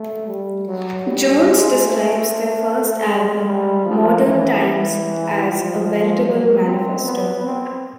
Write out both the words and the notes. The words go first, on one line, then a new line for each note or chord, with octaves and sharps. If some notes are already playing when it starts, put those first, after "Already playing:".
Jones describes their first album "Modern Times" as "a veritable manifesto".
Already playing: A3
G3
F#3
G3
G#3
A3
G#3
G3
F3
E3
F3
F#3
C4
B3
C4